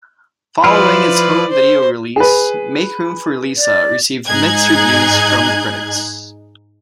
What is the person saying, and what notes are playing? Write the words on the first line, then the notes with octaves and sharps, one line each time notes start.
Following its home video release, "Make Room for Lisa" received mixed reviews from critics.
F3 E4 F4 B4 D5
C5
G#4 B4
D5
G#2 D#4 G#4 F#6 G#6